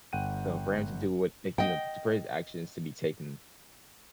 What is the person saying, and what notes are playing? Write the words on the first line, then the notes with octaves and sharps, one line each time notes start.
So for him to do what like, you know, to put his actions to be taken,
G1 F#5 G5 D#7
D#5 G5